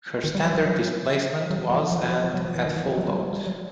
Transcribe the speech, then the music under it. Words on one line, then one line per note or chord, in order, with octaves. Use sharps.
Her standard displacement was and at full load.
D#3
G3
F#3
F3
F#3
F#3
F3
F3
F3
F3
F#3
F3
E3
D#3
E3
F3
F#3
G3
F#3
G3
F#3